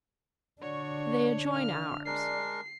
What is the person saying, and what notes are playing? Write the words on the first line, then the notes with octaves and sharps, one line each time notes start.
They adjoin ours.
D3 D4 F#4 C#5 D5 C#6
A#3 F6
G#3 D4 A#4 C7